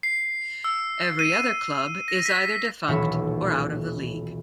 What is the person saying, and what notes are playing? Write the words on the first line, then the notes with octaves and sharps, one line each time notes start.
Every other club is either defunct or out of the League.
C7
E6
D#7
A#6
B6
D#1 B1 E3 C#5 E5